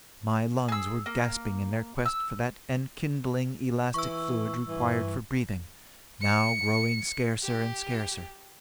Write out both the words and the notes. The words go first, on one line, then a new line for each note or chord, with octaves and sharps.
My lungs were gasping in their quest for that enkindling elastic fluid required for breathing, now growing scarcer and scarcer.
G#4 E6
A#3
E6
E3 C#6 E6
G2 E3
C#7
G4